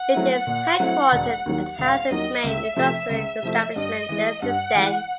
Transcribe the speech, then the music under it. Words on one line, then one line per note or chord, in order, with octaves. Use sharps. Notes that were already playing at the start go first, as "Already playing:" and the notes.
It is headquartered and has its main industrial establishment there since then.
Already playing: F#5
F#3 A3 C4 E4
A#2
F#3 A3 C4 E4
E1
D#2 D#3 F#3
E1 F5
D#2 D#3 F#3 D#5
C#2 E5
C3 F3 A3 E5
C#2 E5
C3 F3 A3
G2 D#5
E3 G#3
G2 F#5
E3 G#3